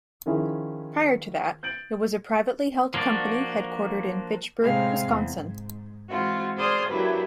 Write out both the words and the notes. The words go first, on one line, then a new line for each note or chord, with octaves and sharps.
Prior to that it was a privately held company headquartered in Fitchburg, Wisconsin.
D#3 F3 C#4 E4 G#4
G6 A6 D7 F#7
F3 A#3 D4 F#4 D5
A2 C3 G#3 C4 F5
E2
G#2
E3 G#3 C4 F4 F#4
G#4 C5 D5 C6 D#6 F6
F#3 A#3 D4 E4 G4 B4